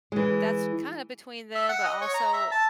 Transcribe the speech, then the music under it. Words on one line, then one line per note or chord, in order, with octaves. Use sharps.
that's kinda between them, but, also
E3 G#3
E5
F#5
D#5
C#5
A#5
E5
A5